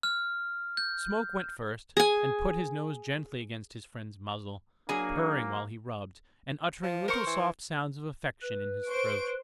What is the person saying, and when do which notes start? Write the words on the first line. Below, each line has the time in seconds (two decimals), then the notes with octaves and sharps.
Smoke went first and put his nose gently against his friend's muzzle, purring while he rubbed, and uttering little soft sounds of affection in his throat.
0.03 F6
0.77 G6
1.97 G#4 G#5
4.89 F#3 A#3 D4 G#4 G#5
6.83 F3
7.08 A#4 C5 C#6
7.27 E3
8.42 B4
8.88 C5 C#6 D7